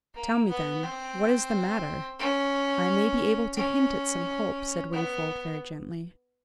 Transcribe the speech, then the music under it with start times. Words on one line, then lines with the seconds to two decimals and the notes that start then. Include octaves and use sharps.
"Tell me, then, what is the matter; I MAY be able to hint at some hope," said Wingfold, very gently.
0.14 A#3
0.49 B3
0.83 C4
2.19 C#4
3.56 C#4
4.93 B3